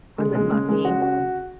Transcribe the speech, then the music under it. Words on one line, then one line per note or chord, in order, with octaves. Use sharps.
Was it mucky?
D3 G#3
C#3
B2 G#3
C#3
G#3
G#3
F#4
F#4